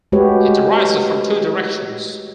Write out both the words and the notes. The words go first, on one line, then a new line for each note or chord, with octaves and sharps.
It arises from two directions.
G#3 A3 F#4 G4 B4 C#5